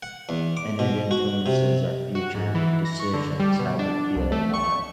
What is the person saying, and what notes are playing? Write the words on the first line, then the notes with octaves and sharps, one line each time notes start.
and it influences our future decisions, how we feel about it.
F#5
E2
D6
B2
F#4
C3
F#4
G#2
E3
A#6
C#6
D3
G3
B2
D4
C2
A3
C#6